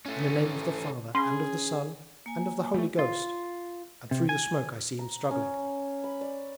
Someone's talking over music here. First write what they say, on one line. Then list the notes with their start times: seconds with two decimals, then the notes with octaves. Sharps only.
"In the name of the Father and of the Son and of the Holy Ghost"... and through the smoke I see him struggling.
0.06 A3 C#4
1.15 C#4 G#4 B5 C6
2.26 A#3 G#5
2.74 G3 A3
2.99 F4
4.11 C3
4.29 G#5
4.99 A#5
5.31 C#4
6.04 B5
6.21 D5